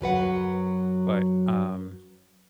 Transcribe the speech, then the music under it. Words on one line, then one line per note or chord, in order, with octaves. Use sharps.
But, um
F#2 F#3 B4 F#5